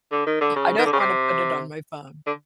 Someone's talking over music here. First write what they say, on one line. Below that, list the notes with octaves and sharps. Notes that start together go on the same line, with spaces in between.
"I don't want to put it on my phone."
D3
D#3
D3
C#3
D#3
D3
C#3
C3
D3